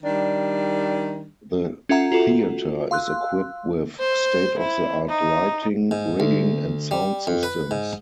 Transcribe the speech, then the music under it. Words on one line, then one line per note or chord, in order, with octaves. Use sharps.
The theatre is equipped with state-of-the-art lighting, rigging and sound systems.
D#3 G3 D4
C#4 F4 A4 E5 F#5 A#5
F4 F#4 A4
F5 C6 E6 F#6
C5
E4
D#4
G#2
D2
G3
F2
B4
G#2